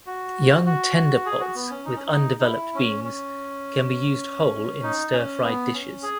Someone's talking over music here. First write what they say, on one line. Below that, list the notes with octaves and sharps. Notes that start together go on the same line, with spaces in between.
Young tender pods with undeveloped beans can be used whole in stir-fried dishes.
F#4
F#4
F#4
G#4
F#4
B3
C#4
D#4
C#4
D#4
D#4
E4
C#4
C#4
D#4
C#4
B3
C#4
G#4